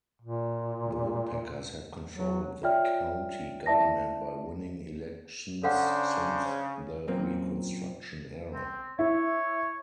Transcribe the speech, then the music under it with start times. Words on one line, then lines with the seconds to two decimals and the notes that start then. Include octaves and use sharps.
The Woodpeckers had controlled the county government by winning elections since the Reconstruction Era.
0.22 A#2
2.13 F#3
2.63 F4 C#5 D5 E5 G5 F6
3.66 E4 D5 E5 A5 A#6
5.63 C#3 D4 A4 C5 F5 F#5
7.08 F#2 A#2 A#3 C4
8.54 C4
8.99 E4 C#5